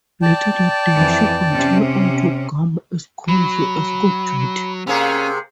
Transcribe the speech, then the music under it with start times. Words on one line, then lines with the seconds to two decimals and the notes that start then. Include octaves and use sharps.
Later that day, she continued on to Guam as convoy escort duty.
0.22 D5 G5 A5
0.95 F2 E3
1.49 C3 C#4
3.28 F#3 B5
4.87 C3 A#3 C#4 G#4